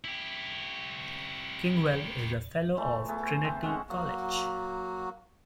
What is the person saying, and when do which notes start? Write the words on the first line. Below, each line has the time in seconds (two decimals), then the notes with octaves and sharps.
Kingwell is a fellow of Trinity College.
0.04 E4 G4
2.77 E3 F3 A3
3.08 A3 B3 G#4
3.27 C5
3.44 B3 C4
3.63 G#3 C4 C#4 F#5
3.89 F#3 A#3 F#4